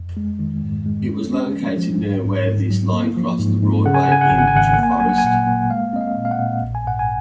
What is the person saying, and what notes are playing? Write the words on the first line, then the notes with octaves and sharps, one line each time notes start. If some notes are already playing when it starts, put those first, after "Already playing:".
It was located near where this line crossed the 'Broadway' in Treforest.
Already playing: F2
G#3
D#3
G#2
G#3
C#4
C#4
F3
F3
G#2
G#2
G#2
F#3
A#3
F3
G#2
G#2
C#3 F#5
G#5
F#5
C#3 G#5
F#5
G#1 G#5
F#5
G#5
G#1 F#5
G#5
F#5
A#3
G#5
F#5
F#3 G#5
F#5
G#5
A#2 F#5
A#3
G#3 F5
C4 D#5
F5
A#2
F5
F#5
A#2
A#1
G#5
G#2 F#5
G#5